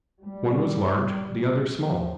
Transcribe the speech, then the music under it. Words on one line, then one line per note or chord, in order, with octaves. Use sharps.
One was large, the other small.
G3
F3